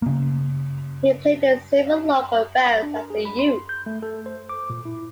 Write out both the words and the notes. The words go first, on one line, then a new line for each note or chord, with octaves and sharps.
He played in several local bands as a youth.
C#3 A#3
D4
A#4
G#4
B5
C6
G6
A3
A4
C5
D6
A#2
E4